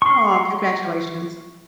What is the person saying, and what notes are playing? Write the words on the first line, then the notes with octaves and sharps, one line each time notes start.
Aw, congratulations.
C6 C#6